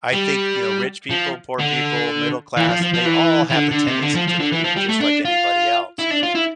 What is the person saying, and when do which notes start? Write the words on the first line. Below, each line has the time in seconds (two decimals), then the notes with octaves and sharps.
I think, you know, rich people, poor people, middle class, they all have the tendency to pollute just like anybody else, you know?
0.13 G3
1.10 F3
1.59 D3
2.57 E3
2.69 F3
2.82 F3
2.94 F3
3.05 E3
3.50 E3
3.54 D3
3.71 D3
3.87 C3
4.03 D3
4.16 F3
4.28 F3
4.40 D3
4.52 E3
4.64 F3
4.76 G3
4.89 A3
5.01 D4
5.25 F4
5.99 E4
6.11 D4
6.23 F4
6.35 E4